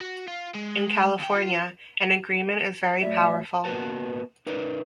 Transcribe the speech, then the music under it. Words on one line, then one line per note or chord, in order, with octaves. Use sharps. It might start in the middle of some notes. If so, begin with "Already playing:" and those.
In California, an agreement is very powerful.
F#4
F4
G#3
D#2 G5
F4
A2 F#3 D5 E5
A#3 B3 F#4 A#4 B4 A5
D#4 A#4 B4 D5